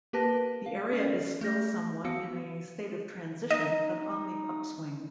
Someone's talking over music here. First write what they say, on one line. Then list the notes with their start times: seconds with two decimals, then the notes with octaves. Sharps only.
The area is still somewhat in a state of transition, but on the upswing.
0.13 A#3 G4 A#4 B4 A5 A#6
0.66 F5
0.93 C#4 D5 C7
1.41 A3 G6 A#6
2.04 F3 B3 F#4 F5 E6 C#7
3.50 D#4 D#5